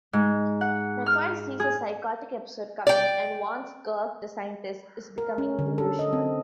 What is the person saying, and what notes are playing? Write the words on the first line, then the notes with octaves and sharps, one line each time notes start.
McCoy sees a psychotic episode coming, and warns Kirk the scientist is becoming delusional.
G#2
F#5
F6
G#4
D5 G5
A#4
C#4
D3
A4
D#5
C4